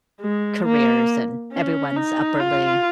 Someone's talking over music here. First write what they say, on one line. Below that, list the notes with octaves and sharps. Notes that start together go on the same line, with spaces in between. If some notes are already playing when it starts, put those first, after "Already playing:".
careers and everyone's upwardly
G#3
A#3
C#4
D#4
F4